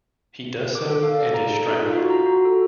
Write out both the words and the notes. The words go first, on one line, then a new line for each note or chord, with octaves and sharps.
He does so, and is strangled.
D6
A4
F5
D5
A#5
A4
D#4
F4
F#4
A#5
F#4
A4